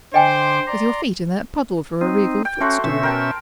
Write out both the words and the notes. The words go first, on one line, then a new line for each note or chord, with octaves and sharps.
'With your feet in that puddle for a regal footstool!
D3 C5 D#5 G5 G#5 C6 D6
D5 A#5 C6
C4 D#4
G5
A3 C#4 F#4 C5
B2 C#4 E5
A#4 G5 A5